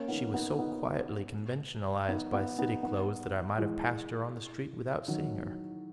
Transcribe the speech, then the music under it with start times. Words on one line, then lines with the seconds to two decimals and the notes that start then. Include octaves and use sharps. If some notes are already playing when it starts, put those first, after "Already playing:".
She was so quietly conventionalized by city clothes that I might have passed her on the street without seeing her.
Already playing: A#3 C#4
0.08 B3 D#4
0.34 B3 D#4
0.58 B3 D#4
2.08 B3 D#4
2.33 B3 D#4
2.58 B3 D#4
2.83 B3 D#4
3.58 E3 G#3
5.08 D#3 F#3